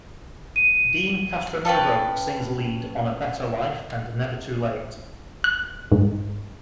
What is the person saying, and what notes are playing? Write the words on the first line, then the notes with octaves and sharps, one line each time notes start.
Deen Castronovo sings lead on "A Better Life" and "Never Too Late".
D#7
C#4 B4 G5 A5
F#6
G#2